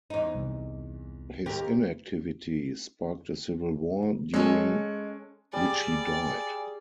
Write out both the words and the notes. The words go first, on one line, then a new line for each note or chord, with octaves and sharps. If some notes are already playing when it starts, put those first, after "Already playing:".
His inactivity sparked a civil war, during which he died.
E2 D#4
C2
D#2 G4 A#4
G#3 C#4 A4
G3 G#4 D5